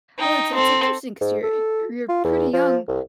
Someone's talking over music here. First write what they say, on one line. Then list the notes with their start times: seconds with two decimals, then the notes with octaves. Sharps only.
Well, it's it's interesting 'cause you're e you're pretty young
0.18 D#4 G5
0.55 C4 A4
1.21 G#2
1.43 A4
2.09 F4
2.24 E2
2.53 F3
2.88 C2